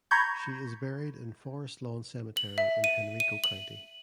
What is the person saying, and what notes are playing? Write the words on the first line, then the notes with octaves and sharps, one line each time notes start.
She is buried in Forest Lawn Cemetery in Henrico County.
A#5 B5 C#6 G6 G#6
F#7
E5
D#7
D#7
F#7